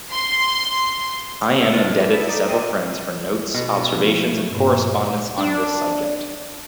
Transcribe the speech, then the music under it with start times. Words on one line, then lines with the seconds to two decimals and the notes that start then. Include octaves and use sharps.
I am indebted to several friends for notes, observations, and correspondence on this subject.
0.12 C6
1.61 E3 A3 B3 E5
1.73 B2 D#3 D4 E4 F4
1.98 E3
2.13 A3 B3 E4
2.28 D#4 D5
2.48 G#2 B2 C4 D5 D#5
3.54 B2
3.96 F3 A3
4.49 G2 A#2
5.38 D4